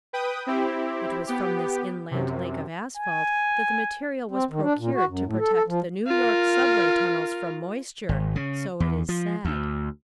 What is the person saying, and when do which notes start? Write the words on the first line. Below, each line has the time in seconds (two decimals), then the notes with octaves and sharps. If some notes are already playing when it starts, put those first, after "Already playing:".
It was from this inland lake of asphalt that the material was procured to protect the New York subway tunnels from moisture, so it is said.
0.13 B4 G5 D#6
0.47 C4 E4 G4
1.27 B3 G4
2.11 F#2 C3
2.97 G#5
4.31 C4
4.51 D#3
4.63 D4
4.78 A#2
4.95 F#4
5.08 F#2
5.25 A2
5.39 A4
5.53 A4
5.67 F3
6.07 F4 A#4
8.09 G#1
8.35 C#3
8.80 E2
9.09 F3
9.45 D2